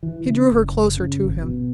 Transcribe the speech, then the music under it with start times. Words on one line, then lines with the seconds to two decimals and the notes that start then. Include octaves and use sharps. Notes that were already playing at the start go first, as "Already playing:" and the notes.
He drew her closer to him.
0.03 E3
0.25 C#3
0.52 F#1
0.97 C#3
1.24 G#1
1.42 B2